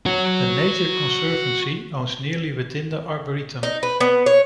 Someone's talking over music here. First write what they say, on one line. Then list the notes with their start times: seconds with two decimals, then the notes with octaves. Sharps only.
The Nature Conservancy owns nearly within the arboretum.
0.06 F#4 C#5
3.63 D#4
3.83 B4
4.00 B3
4.26 C#5